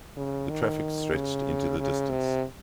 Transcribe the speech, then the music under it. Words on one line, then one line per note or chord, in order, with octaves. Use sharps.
The traffic stretched into the distance.
C#3
D#3
C#3
C#3
C3